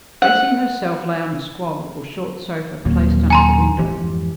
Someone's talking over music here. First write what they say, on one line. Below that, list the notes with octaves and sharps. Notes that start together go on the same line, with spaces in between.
Bessy herself lay on a squab, or short sofa, placed under the window.
F#5
D#2 A#2 F#3 A#3 C4
G#5 A#5 C6
F2 G#2 E3 G4